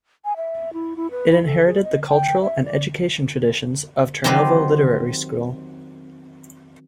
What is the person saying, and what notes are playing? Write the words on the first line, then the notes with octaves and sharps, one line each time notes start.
It inherited the cultural and education traditions of Turnovo Literary School.
G#5
E5
E4
E4
B4
E4
A4
G#4
D#5
G5
E5
D5
D#3 F#3 C4 G4 B4 C5